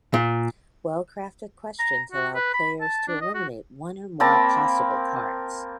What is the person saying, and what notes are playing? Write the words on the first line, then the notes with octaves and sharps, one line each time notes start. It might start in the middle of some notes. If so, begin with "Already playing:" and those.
Well-crafted questions allow players to eliminate one or more possible cards.
A#2
A#5
F#4
B4
B5
A5
D4
D#5
F#4
A#3 C4 A5 B5